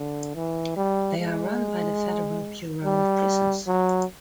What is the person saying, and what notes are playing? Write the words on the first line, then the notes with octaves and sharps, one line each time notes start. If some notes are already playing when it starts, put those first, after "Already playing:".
They are run by the Federal Bureau of Prisons.
Already playing: D3
E3
G3
G#3
G3
F#3